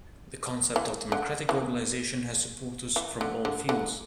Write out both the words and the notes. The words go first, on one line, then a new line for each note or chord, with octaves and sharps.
The concept of democratic globalization has supporters from all fields.
E3
D3
E3
E3
D3
D3
D3